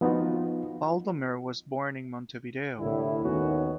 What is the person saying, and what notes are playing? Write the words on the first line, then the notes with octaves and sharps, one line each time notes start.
Baldomir was born in Montevideo.
F3 B3 D#4 F4 F#4
C2 A2 D3 E4
D#2 D#3 B3 C#4 F#4